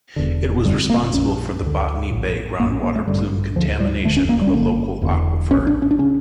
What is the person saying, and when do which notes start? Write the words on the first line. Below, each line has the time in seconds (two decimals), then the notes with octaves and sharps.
It was responsible for the Botany Bay Groundwater Plume contamination of a local aquifer.
0.16 E1 E2 D3
0.65 F1 F2 D3 G3
0.90 A#3
1.14 A#1 A#2 C#4
1.62 D2 D3
2.10 A#1 A2
2.60 A#1 A2 A#3
2.72 C#4
2.83 A#3
2.96 A3
3.07 A1 G2 D3 G3
3.56 D2 D3 F3
3.80 G3
4.05 E1 D2 D3 A3
4.17 C#4
4.29 A#3
4.41 G3
4.47 C#4
4.52 G1 G2 D3 A#3
5.02 E1 E2 D3
5.50 A#1 A2 C#4
5.67 D4
5.82 C#4
5.91 D4
5.99 C#3 C#4